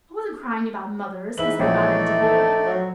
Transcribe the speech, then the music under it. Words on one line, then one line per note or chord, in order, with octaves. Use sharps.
"I wasn't crying about mothers," he said rather indignantly.
G#2 E3 B4 E5 F#7
A#1 E3 A3 C#4 D#4 F#4 C#5 D5
A4
F#3